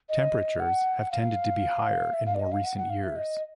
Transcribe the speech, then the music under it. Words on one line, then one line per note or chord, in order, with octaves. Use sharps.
Temperatures have tended to be higher in more recent years.
D#5
F#5
F5
E5
F5
D5
D#5
F5
F#5
F#5
F5
E5
D#5